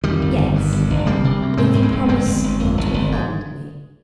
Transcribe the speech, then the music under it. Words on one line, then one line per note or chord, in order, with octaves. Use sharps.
"Yes; if you promise not to offend me."
F2 D#3 G3
G1
G1
G2
G1
G1
C3 G3 A#3
C3
D2
G#2 G#3 C4
G#2
G#3 C4
A#1
G2 G#3 C4
G1
G1
F2
G1
G1
G#2